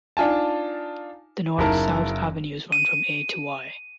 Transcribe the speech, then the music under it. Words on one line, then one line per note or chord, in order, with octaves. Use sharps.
The north-south avenues run from A to Y.
D4 D#4 F4 G#5 A5
F#1 D#4 E4 A#4 A5
D#7